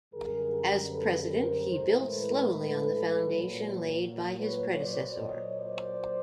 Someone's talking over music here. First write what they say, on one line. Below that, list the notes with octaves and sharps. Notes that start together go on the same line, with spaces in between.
As president he built slowly on the foundation laid by his predecessor.
F#2 D3 G3 G#4 A#4
A4 B4
A#4 C5
A2 E3 G#3 A#4 C5
A4 B4
A#2 F#3
B4 C#5
A#2 F#3 C5 D5
C#5 D#5
C5 D5